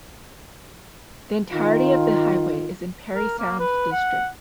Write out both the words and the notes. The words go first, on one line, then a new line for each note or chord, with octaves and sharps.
The entirety of the highway is in Parry Sound District.
D#3 F4
A#4
A#3
B4
F#5